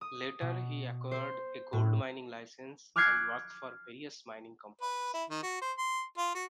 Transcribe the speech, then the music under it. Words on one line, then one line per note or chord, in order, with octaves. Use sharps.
Later he acquired a gold-mining licence and worked for various mining companies.
D#6
B2
C5
A2
D6 F6 F#6 G#6 C7 C#7
B4
E4
D#3
F#4
C5
C6
F4
F#4